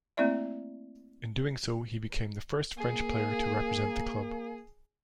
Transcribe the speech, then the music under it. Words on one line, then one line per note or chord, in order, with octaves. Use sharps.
In doing so, he became the first French player to represent the club.
A3 A#3 C4 E4 D5 E5
A#3 G#4